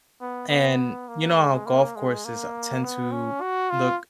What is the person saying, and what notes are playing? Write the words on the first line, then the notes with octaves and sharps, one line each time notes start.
and, you know how golf courses, uh, tend to look
B3
B3
A#3
G#3
A#3
G#3
A#3
B3
C#4
F#4
F4